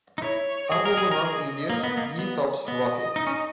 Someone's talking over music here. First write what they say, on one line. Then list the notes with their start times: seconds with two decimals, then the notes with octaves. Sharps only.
All over north India, ghee tops "roti".
0.18 D#4
0.22 E4 C#5
0.71 G#4 D#5
0.85 A#4
0.97 G#4
1.11 A#4
1.21 G#4 D#5
1.70 A#3
1.83 B3
1.97 A#3
2.19 B3
2.67 B3 D#5
3.16 D#4
3.27 C#4
3.35 D#4